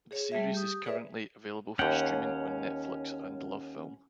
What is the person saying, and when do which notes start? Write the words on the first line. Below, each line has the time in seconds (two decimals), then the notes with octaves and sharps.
The series is currently available for streaming on Netflix and LoveFilm.
0.11 G#4 C#5
0.32 G3 A3 G#4 E5
0.54 G4 D#6
0.85 G#4 B4 C#5 D5 E5
1.79 D#2 C#4 F#5 G5